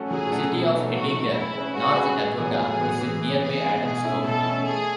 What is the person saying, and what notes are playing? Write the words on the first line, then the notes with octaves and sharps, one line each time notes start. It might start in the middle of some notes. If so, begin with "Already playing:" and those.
The "city" of Hettinger, North Dakota, is in nearby Adams County.
Already playing: F#3 A3 C#4 F#4 A4
F#3 G#4
A3 C#4 F#4 A4
B2
F#3 A3 D#4
B2 F#4
F#3 A3 D#4
G#3 E4
C#4 G#4 B4
G#3 F#4
C#4 G#4 B4
A2 G#4
F#3 B3
A2
F#3 B3
E3
G#3 B3
E3 G#4
G#3 B3
B2 G#4
A3 C#4 E4
B2 A4
A3 C#4 E4
A3 G#4